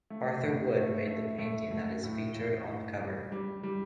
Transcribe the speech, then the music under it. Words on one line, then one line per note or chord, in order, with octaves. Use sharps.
Arthur Wood made the painting that is featured on the cover.
A3
A2
A3
A3
A3
A3
A2
A2
A2
G3
G3
G3